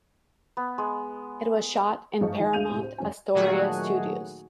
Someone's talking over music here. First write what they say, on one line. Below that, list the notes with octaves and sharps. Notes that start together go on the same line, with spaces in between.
It was shot in Paramount Astoria studios.
B3
G#3
G1 G#2 F3 G#4 D#5 C#6
D#3 F3
D2 G#4 F5 G6 D#7 F7
A2 C3
C5
F1 C#4 G#5
A#2 D#3 F#3 A3 F#4 G#4